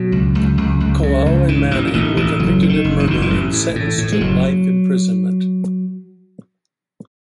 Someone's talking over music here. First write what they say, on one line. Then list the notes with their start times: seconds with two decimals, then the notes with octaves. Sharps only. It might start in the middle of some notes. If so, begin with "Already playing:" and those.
Kouao and Manning were convicted of murder and sentenced to life imprisonment.
Already playing: B2 F#3
0.12 C#2
0.35 C#2
0.57 C#2
0.80 C#2
1.03 C#3
1.26 C#2
1.48 G#2 E3
1.71 A1 E3
1.87 E3
1.93 A1 D#3
2.17 A1 E3
2.39 F#1 F#3
2.62 C#3
2.69 D#3
2.85 F#1
3.00 E3
3.07 F#1 D#3
3.22 E3
3.30 A1
3.53 A2
3.75 A2
3.98 A2
4.12 G#3
4.21 F#1 F#3